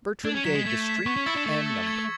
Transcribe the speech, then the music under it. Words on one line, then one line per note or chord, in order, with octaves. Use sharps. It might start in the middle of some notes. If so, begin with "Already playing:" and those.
Bertram gave the street and number.
D4 G#6
C#4
F#3 B6 E7
G#3
A3 G#6
B6 E7
B3 C#6
C#4
E4 E6 A6 C#7
D4
A3 C#6
E6 A6 C#7
G#6